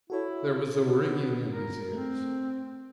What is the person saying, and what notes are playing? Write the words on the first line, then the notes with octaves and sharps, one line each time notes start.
There was a ringing in his ears.
E4 F#4 A4 C#5
B3
A#4
A3 C4